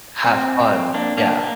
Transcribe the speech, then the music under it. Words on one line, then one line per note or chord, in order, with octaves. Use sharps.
have fun yeah.
C4
A#3 D4
A#3 D4
A#3